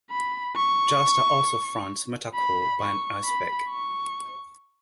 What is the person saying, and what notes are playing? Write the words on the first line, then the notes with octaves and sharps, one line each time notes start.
Jasta also fronts metalcore band Icepick.
B5
C#6
B5
C#6
B5
C#6